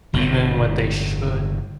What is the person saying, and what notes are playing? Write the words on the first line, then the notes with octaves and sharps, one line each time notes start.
even when they should.
G1 E2 A2